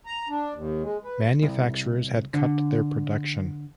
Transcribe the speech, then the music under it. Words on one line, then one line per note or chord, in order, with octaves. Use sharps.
The manufacturers had cut their production.
A#5
D4
D#2
G#3
B4
C2
D3